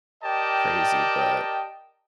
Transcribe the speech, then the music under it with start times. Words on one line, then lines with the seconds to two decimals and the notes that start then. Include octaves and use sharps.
crazy, but
0.24 G4 A#4 D5 D#5 G5 A5